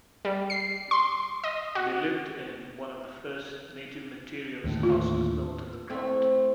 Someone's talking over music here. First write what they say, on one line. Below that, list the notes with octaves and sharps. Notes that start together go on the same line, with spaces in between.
They lived in one of the first native-materials houses built on the property.
G3
C7
C6
D#5
F#4
D#2 A2 D3
F4
A3 C4 E4